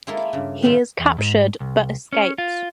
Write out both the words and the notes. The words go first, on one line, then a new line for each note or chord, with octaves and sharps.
He is captured but escapes.
G#3 A#3 E4 F4 A4 A#4
G2 C#3
A2 D#3 G#3 F4 E5
E2
G#2
C2
C#4
F4